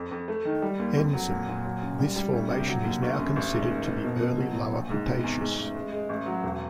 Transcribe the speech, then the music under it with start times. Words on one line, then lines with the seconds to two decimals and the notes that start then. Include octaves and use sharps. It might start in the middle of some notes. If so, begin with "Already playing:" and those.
Ensom, this Formation is now considered to be early Lower Cretaceous.
Already playing: F2
0.11 F2
0.28 A3
0.45 D#3
0.62 G3
0.79 D#2
0.97 F2
1.13 F#3
1.30 A#2
1.48 A#2
1.65 F#3
1.82 F#2
1.99 G3
2.16 G3
2.33 D2
2.50 C3
2.68 F#3
2.84 D#2
3.02 G1
3.19 F#2
3.36 A1
3.53 G#2
3.70 F#1
3.87 F#1
4.05 B2
4.21 B2
4.39 F#3
4.55 F#3
4.72 A#1
4.90 G#2
5.06 C3
5.24 E2
5.41 G#2
5.58 A1
5.76 G#3
5.92 G#3
6.09 A1
6.26 F#3
6.44 E1